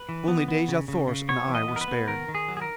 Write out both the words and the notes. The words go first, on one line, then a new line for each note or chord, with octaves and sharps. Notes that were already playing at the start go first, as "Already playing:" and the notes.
Only Dejah Thoris and I were spared.
Already playing: B4
E3
B3
B3
C#3
C#3
C#3
B3 C#5
E3
D#5
B3
A#4
B4
B3
D#3 A#4
D#3
G#4
F#3
G#4
A#4